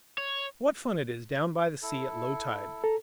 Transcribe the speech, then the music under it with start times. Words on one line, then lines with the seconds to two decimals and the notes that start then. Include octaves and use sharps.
What fun it is down by the sea at low tide!
0.18 C#5
1.82 E4 A4
2.84 A4 A#5